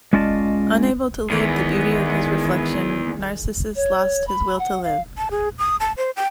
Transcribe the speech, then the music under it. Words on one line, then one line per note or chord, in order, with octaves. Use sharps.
Unable to leave the beauty of his reflection, Narcissus lost his will to live.
G#3 C#4 F4 D5 D#5 A5
E2 D#3 G#3
C#5
B5
F#5
F5
A5
G#4
D#6
A5
C5
G5